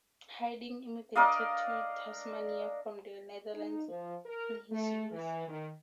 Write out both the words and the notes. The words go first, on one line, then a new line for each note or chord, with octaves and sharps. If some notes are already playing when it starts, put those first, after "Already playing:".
Hidding immigrated to Tasmania from the Netherlands in his youth.
D4 A#4 D#5 F5
D#4
F3
A#4
A3
E3
D#3